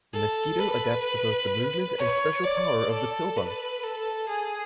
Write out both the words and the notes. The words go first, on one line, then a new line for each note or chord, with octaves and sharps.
The Mosquito adapts to both the movement and special power of the Pillbug.
A4
B4
C#5
D5
A4
B4
A4
G#4